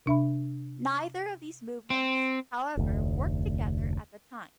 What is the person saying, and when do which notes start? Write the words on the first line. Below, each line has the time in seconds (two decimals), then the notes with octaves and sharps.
Neither of these movements, however, worked together at the time.
0.06 C3 D4 E5 B5
1.90 C4
2.77 F1 D2